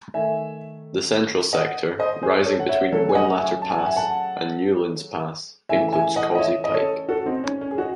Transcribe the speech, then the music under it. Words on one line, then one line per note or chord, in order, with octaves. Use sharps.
The central sector, rising between Whinlatter Pass and Newlands Pass, includes Causey Pike.
D#3 A3 E5 G#5
D#5 F#5
C5 D#5
G#4 C5
A4 C#5
F#5
C#5 E5
C#3 F#3 A3 A4 C#5
G#5
D#5 F#5
E5 G#5
A5
G#5
F#5
E5 G#5
F#5 A5
C#3 E3 A3 E5 G#5
E5 G#5
D#5 F#5
D#5
C#5 E5
D#5
A4 C#5
F#4 A4
C4 D#4
C#4
C#4
G#4
D#4 F#4